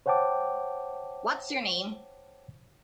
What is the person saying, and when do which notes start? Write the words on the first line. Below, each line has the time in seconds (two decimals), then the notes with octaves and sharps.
What's your name?
0.06 C5 C#5 F#5 G5 A5 D6